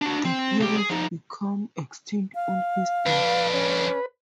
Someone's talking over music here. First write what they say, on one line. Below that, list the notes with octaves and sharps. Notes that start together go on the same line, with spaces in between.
The peerage became extinct on his death.
D4 F#4
C4
C2 G4
G#4
F3 D#4
F5
F2 D4 B4
C#4